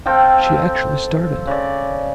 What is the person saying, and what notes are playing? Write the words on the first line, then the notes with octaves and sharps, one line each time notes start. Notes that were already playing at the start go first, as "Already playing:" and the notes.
She actually started.
C4 A4 F5 G5
C#3 D5